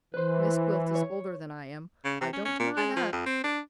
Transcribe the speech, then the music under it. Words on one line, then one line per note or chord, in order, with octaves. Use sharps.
Miss Gwilt is older than I am--I don't deny that.
E3 B4 C5
C#5
C#3
C3
C#4
C#4
A#2
G#3
F3
F2
C4
D4